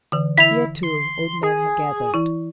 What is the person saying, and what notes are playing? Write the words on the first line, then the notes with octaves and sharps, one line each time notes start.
Here, too, old men had gathered.
D3 E3
E4 B6 F7
C6
G#4
E3 E4